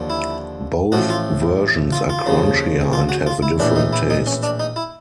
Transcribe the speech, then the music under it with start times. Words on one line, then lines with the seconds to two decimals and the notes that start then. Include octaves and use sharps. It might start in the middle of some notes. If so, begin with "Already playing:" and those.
Both versions are crunchier and have a different taste.
Already playing: D#2 D3 F3
0.10 E4
0.92 A1 A2 F3 F#4
1.10 F4
1.92 F4
2.10 F4
2.26 D#2 C#3 F3
2.93 F4
3.09 F#4
3.27 F4
3.42 E4
3.60 A#1 A2 E3 D4
3.76 D#4
3.93 E4
4.10 D#4
4.27 C#4
4.43 D4
4.60 D#4
4.76 E4